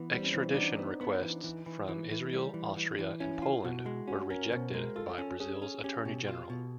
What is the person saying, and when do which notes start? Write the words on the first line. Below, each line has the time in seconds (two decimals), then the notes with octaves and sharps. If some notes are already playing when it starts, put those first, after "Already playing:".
Extradition requests from Israel, Austria and Poland were rejected by Brazil's Attorney General.
Already playing: E3 B3
0.12 G3 C4
0.23 C#4
0.33 E3 C4
0.52 D4
0.56 B3 D#4
0.79 B3
1.01 B3
1.23 E3
1.44 E3
1.66 E3
1.88 E3
2.11 E3
2.33 G3
2.54 E3
2.76 E3
2.99 E3
3.20 C#4 E4
3.42 F4
3.64 B2 F#4
3.86 G#3
4.08 C#4 F#4
4.30 C#4 A#4
4.52 B2 C5
4.74 G#3 A#4
4.96 F4 A4
5.18 C#4
5.40 C#4 G#4
5.62 C#4
5.83 C#4 G4
6.05 B2
6.28 F4
6.50 B2